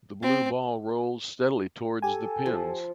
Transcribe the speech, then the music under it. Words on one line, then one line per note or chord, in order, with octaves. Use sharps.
The blue ball rolls steadily towards the pins.
C4
G4 A4 G#5
F3